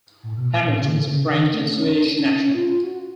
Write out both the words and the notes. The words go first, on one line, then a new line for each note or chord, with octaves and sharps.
Hamilton is a French and Swedish national.
A2
B2
A#2
A2
C#3
D#3
D3
C#3
D#3
A3
C#4
D4
C#4
C#4
F4
F4
F#4